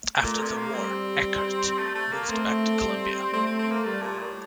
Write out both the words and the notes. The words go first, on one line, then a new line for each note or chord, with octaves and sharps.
After the war Eckert moved back to Columbia.
A#2 A3
C3
A#3
G3 C4
A3
A3
A#3
A3 C4
G3
A3 C4
C4
C4
A#3
G3 A3
A#2
A2